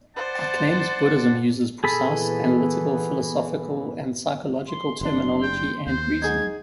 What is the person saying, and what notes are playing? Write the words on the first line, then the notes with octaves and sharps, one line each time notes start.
He claims Buddhism uses precise, analytical philosophical and psychological terminology and reasoning.
C5 D5 F#5 A5
A#2 E3 B3 G#4 A4 B5
C6
F#1 B2 D4 C6
G5
D#2 C5
D#4 G#4 F#5 G#6